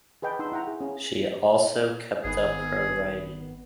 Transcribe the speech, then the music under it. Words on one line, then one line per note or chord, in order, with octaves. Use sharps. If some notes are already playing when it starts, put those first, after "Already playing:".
She also kept up her writing.
G#4 B4 D#5 G5 A5
D#4 F#5 G5 C6 E6
E4 F#5 G5 A#5
G#4
C#4 G#4 F5 G#5
G#1 D#3 B3 G#4